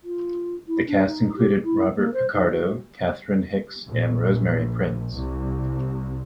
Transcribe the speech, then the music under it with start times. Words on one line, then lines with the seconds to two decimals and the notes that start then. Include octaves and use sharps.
The cast included Robert Picardo, Catherine Hicks, and Rosemary Prinz.
0.04 F4
0.68 E4
0.87 D4
1.07 D#4
1.37 G4
1.64 E4
1.97 A#3
2.14 C5
2.34 D#4
2.50 F#4
3.87 A#1
5.15 C2